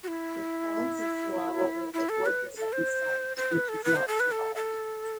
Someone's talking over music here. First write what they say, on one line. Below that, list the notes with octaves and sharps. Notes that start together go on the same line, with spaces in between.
The counts of Celano built a fortress at this site, which has not survived.
F#4
E4
E4
A4
B4
A4
C5
C5
B4
A4
B4
C5
A4
B4
A4
A4